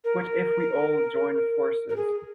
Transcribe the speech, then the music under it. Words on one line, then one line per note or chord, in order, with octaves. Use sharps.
What if we all joined forces?
A#4
A#4
G#4